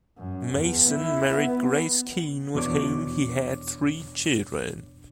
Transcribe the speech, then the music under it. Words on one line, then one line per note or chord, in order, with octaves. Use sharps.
Mason married Grace Keen, with whom he had three children.
F#2
E2
E4
B3
E2 B2 D4 C#5 D6